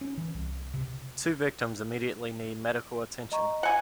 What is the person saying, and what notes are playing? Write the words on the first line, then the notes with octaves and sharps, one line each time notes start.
Two victims immediately need medical attention.
C#4
E3
C2
C3
D#5 A#5 C#6
F#5 G#5